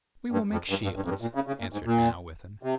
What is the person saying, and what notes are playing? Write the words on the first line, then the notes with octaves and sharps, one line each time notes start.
'We will make shields,' answered Manawyddan.
G2
F2
G2
G2
G2
F2
G2
A#2
C#3
C#3
A#2
G#2
A#2
C3